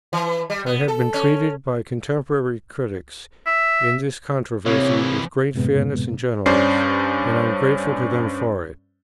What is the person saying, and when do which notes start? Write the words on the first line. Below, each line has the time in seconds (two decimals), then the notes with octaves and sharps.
I have been treated by contemporary critics in this controversy with great fairness and gentleness, and I am grateful to them for it.
0.13 E3
0.50 G3
0.66 B3
0.88 A4
1.14 C#4
3.47 E5
4.66 C3 E3 A#3 C#5
5.54 F#2 A2 C3 G#3 B3
6.46 G2 C#4 C5 D5 C7